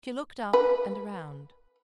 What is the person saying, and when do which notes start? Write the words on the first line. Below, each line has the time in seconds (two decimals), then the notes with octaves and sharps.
She looked up and around.
0.53 B4